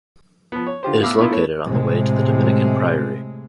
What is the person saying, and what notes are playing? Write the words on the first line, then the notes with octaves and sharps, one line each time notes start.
It is located on the way to the Dominican Priory.
F3 B3
C#5
D3 F4 G4 C5
A2 B3 F5 D6 E6
B3 D4 E4 F4 A#4
A3 B3 E4 C#5
A2 C3 G#3